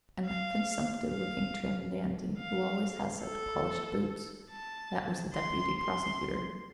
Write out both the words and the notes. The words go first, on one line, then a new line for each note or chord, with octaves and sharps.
And that "consumptive-looking" trim dandy, "who always has such polished boots"--that was the deputy prosecutor.
F5
F5
F5
A4
A5
C6
C6